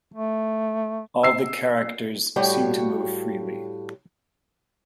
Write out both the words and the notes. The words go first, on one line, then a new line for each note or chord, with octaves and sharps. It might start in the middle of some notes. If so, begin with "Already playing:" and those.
All the characters seem to move freely.
A3
E6 C7
A2 G3 F#4 G4 C#5 F5